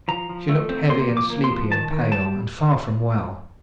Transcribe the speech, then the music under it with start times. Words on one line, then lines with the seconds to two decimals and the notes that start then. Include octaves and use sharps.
She looked heavy and sleepy and pale, and far from well.
0.08 F3 A#5
0.29 F3
0.49 A3
0.69 C4
0.90 A#3 C6
1.09 F3
1.17 D6
1.30 A#3
1.44 C6
1.51 F3
1.71 D#3 A5
1.91 D#3
2.11 G3 A5